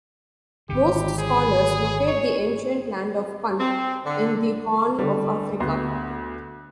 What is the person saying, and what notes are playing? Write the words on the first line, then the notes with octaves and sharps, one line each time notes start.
Most scholars locate the ancient Land of Punt in the Horn of Africa.
G#1 D3 G4
G#4
C#5
C4
D3
D3 G3
D2 B3 C6